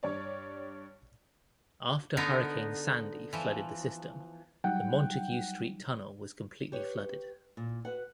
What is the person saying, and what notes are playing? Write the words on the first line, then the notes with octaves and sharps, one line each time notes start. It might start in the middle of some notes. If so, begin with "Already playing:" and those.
After Hurricane Sandy flooded the system, the Montague Street Tunnel was completely flooded.
G2 C#5 D5
D3 B3 D#4 A#4
E3 F3
F#3 G3 D#4 F#5 G5
G4 B4 C#5
A#2
F#4 B4 F#5